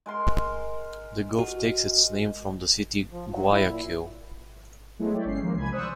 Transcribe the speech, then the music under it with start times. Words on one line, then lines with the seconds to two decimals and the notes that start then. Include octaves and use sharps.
The gulf takes its name from the city of Guayaquil.
0.06 G#3 A#4 C6
1.39 F#4
3.11 F3
3.33 F#3
3.53 E4
3.67 A#2
4.99 F#3 G#3 A3 B3 E4
5.14 C#5 D5 E5 G5
5.25 G1 G#3 C#4 C7
5.42 D#3 F3 G#3 A#3
5.56 C2 G#5 B5 G#6
5.72 C5 D5 C#6 D#6 E6 F#6